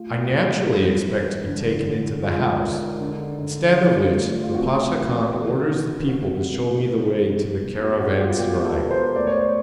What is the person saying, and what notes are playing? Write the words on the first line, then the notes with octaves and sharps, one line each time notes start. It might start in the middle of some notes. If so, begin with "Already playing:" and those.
I naturally expect to be taken into the house, instead of which the Pasha Khan orders the people to show me the way to the caravanserai.
Already playing: A3 F4
A2
G3
E3
D3
D3
G#3 F4
D#3
D3
D3
F#3 F4
A3
F4
C4 F#4
E3
D3 F#4
D3
D#3 F#4
C3
E3
E3
B2
F#4
G#3 F#4 G#4
F4 G4
B2 F4 G4
A4 B4
B2
A#4 C5
A3 D5
C#5
C5